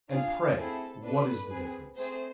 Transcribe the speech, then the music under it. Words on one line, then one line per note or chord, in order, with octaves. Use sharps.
"And, pray, what is the difference?"
D4 F4 G#4 F5
A3 C4 E4 G#4 A4
D4 A4 B4
C4 G#4
A3 C4 G#4 C5